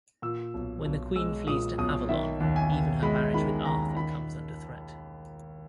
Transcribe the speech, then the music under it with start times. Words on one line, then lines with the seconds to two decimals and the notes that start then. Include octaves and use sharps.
When the Queen flees to Avalon, even her marriage with Arthur comes under threat.
0.22 A#2 E6
0.54 B1
0.85 B1
1.15 G#3 E6
1.47 A#2 D#6
1.78 B1 D#6
2.09 D#3 E5
2.40 D#2
2.56 G#5
2.71 D#2
3.03 G#3 B5
3.34 D#3 B5
3.65 D#2 A#5
3.97 D#3 B5